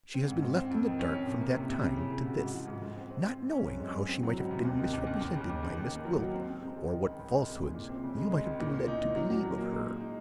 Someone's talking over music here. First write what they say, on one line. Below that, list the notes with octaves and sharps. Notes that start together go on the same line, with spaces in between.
She has been left in the dark from that time to this, not knowing how she might have been misrepresented by Miss Gwilt, or what falsehoods you might have been led to believe of her.
C4
G#2
G#2
C4
F2
D#3
C#4
C#4
C3
A#3
C3
C3
C#3
C#3
C#3
F#4
G#2
F3
G#2
G#2
C4
C4
C4
C4
C#4
F#2
G#3
G#3
C4
F#3
C#2
C3
D#2
D#3
D#2
D#2
D#2
C#3
D#2
D#2
D#3
A#3
F#3
D#3
C4
C4
G#3
G#3
D#3
C#2
C#2
G#3
C2
G#3
A#2
C4
C#3
G#3
G#3
C#2
A#2
A#2
D#4
A#2
F#3
A#2
F#3
A#3
G#3
D#4
D#4